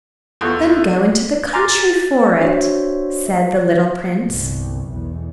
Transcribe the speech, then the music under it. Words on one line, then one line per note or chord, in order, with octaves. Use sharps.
"Then go into the country for it," said the little prince.
E2 F4 A4 C#6
G#5 A#5 C6 D6 F6 A6
A6
D4 F#4 C5 C#5 E5
G1 C2
B1 E2